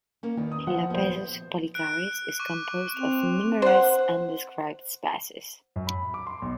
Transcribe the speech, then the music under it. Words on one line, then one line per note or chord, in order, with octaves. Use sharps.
"Phyllopezus pollicaris" is composed of numerous undescribed species.
A#3 C#4
E2 D#3
D#6
F3 F#5
D#1 B3 C5
F#6 D7
C#6 D6
C4 F7
C5 F#5
F#2
B5
D6
C6
B1